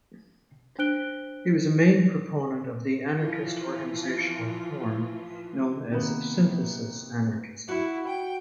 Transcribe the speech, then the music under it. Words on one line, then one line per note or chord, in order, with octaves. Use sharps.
He was a main proponent of the anarchist organizational form known as synthesis anarchism.
D4 C5 F#6 D7 G7
E3 F3 F4
C3 D#3 A#3 B3
E4 F#4
G5